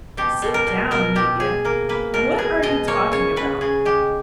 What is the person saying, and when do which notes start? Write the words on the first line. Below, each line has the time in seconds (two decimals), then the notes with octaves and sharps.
Sit down, Mitya, what are you talking about?
0.17 B2 G4
0.42 B2
0.54 A#4
0.67 B2
0.91 B2 A#4
1.15 B2 G4
1.40 B2 G#4
1.65 A#3 A#4
1.89 A#3 B4
2.14 B2 A#4
2.38 B2 G#4
2.63 B2 D#5
2.87 A#3 C#5
3.12 C#3 C#5
3.36 C#3 B4
3.61 C#3 G#4
3.85 G#3 G4